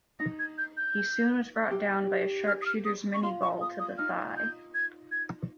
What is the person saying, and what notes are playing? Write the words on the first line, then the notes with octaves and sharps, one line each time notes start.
He soon was brought down by a sharpshooter's minie ball to the thigh.
D#4 A#6
G#6
G6
G6
G4
F6
D#6
F6
D#6
C#6
F4 C6
C#6
D#6
D#6
D#4 F6
G6
G#6
G#6